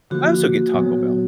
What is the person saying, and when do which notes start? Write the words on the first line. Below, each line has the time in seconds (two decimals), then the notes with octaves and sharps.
I also get Taco Bell.
0.11 D3 F3 A#3 F#4
0.74 A#2 F#3 B3